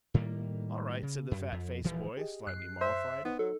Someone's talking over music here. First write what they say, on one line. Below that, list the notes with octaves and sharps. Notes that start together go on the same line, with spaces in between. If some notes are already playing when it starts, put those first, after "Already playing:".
"All right," said the fat-faced boy, slightly mollified.
A2 D#3 G3 A#3
C#3
F#2
F2
D#1 E3 F3
G4 G#4 D#5
F#2 F#6 C7
C5 E5
B3 D#4
F#3 A4